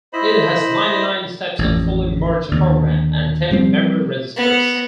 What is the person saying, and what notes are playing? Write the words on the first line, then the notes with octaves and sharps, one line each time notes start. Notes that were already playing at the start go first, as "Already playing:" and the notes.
It has ninety-nine steps of fully merged program and ten memory registers.
E4 C5 D#5 B5
A1 F2
D#2 D3
F3 G3 C4
B3